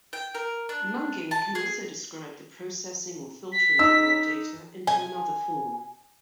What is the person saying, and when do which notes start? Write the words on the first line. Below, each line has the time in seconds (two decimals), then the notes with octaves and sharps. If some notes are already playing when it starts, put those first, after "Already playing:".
Munging can also describe the processing or filtering of raw data into another form.
0.13 G5
0.35 A#4
0.69 D4
1.31 A5
1.55 G#4
3.52 B6
3.79 D#4 E6
4.87 G#5